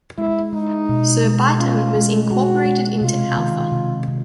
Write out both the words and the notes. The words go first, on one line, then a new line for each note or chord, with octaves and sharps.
Surbiton was incorporated into Alpha.
G#3 E4
G#3 D#4
B2
G#3
C#4 F4
G#3
G#3 F#4
G#3
C3 F4
D#3
C3
C3